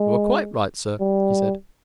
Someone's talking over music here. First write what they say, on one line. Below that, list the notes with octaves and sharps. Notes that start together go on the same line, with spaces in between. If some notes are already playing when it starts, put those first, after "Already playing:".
"You are quite right, sir," he said.
Already playing: G#3
G3